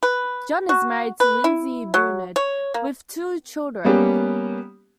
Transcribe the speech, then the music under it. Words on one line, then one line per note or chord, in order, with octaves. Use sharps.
John is married to Lindsay Benaud with two children.
B4
F#4
B4
E4
F#3
C#5
A#3
G3 A#3 B3 C#4 G4